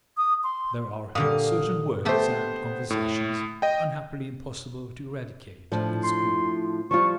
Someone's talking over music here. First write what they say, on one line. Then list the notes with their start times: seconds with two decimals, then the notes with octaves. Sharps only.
There are "certain" words and conversations unhappily impossible to eradicate in schools.
0.17 D#6
0.44 C6
1.15 A#2 D3 G3 F5 D#6
2.05 A3 B3 G4 A4 C5
2.90 A2
3.62 D#5 G5
5.72 A2 F3 D4
6.03 C6
6.91 F3 G3 F4 C#6